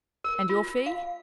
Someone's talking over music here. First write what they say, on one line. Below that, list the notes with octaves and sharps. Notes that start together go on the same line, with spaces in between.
"And your fee?"
A#4
F4
F5